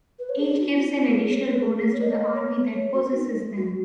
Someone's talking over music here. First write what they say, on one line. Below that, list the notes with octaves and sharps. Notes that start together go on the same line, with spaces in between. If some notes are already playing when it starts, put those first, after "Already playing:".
Each gives an additional bonus to the army that possesses them.
B4
C#5
G#4
F#4
E4
D#4
E4
G#4
G#4
C#5
B4
B4
G#4
G#4
C#5
D#5
C#5
F#4
D#4
F#4